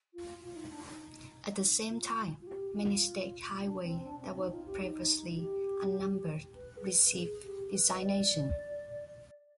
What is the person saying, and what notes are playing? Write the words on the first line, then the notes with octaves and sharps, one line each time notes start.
At the same time, many state highways that were previously unnumbered received designations.
F4
F4
D#4
D4
D#4
F4
F4
G4
F4
D4
C4
D4
C4
D#4
F4
G4
D#4
F4
G4
B4
G#4
B4
G#4
G4
G#4
B4
D#5
D5